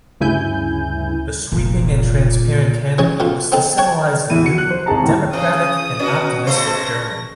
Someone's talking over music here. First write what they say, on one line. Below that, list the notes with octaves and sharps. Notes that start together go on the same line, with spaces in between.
The sweeping and transparent canopy was to symbolize the new, democratic and optimistic Germany.
D2 G2 C#3 E4 G#5 G6
F1 B1 A#2
E3 G#3 C#4
B2 A3 F4
B3 C4 D#4 A4
C#5 F#5 G5 A5
E2 E3 E4 D#7
F#4 C#7
F#6
C5
G#1 C3 G#4 A5 A#5
D#2 A2 D3 E3
C#3 E3 D#6
B2 C#4 F#4
C#3 A3 C5 A#6